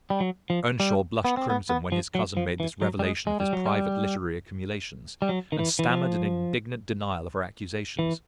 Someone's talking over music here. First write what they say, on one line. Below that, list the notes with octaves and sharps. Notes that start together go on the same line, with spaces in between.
Earnshaw blushed crimson when his cousin made this revelation of his private literary accumulations, and stammered an indignant denial of her accusations.
G3
F#3
F3
G3
B3
C4
B3
B3
F3
F#3
F3
E3
F#3
G3
G#3
G#3
G3
F#3
G3
G3
F#3
D#3
E3
E3
F3
E3